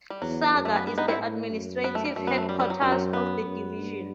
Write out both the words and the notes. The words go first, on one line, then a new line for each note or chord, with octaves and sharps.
Sagar is the administrative headquarters of the division.
G3
E2 F#3
F#2
A3
B3
G2 B3
B3 D#4
C4 E4
A2
F#2
B3
A3
G3
F#2 A3
B3
A3
G3
G3
F#3
F#2 G3
F#3
B3
F#2
G2